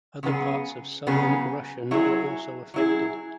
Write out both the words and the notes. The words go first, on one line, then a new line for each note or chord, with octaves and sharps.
Other parts of Southern Russian were also affected.
C#3 F#3 B3 G#4
C#3 F#3 B3 G#4
F#3 E4 G#4
F#3 E4 G#4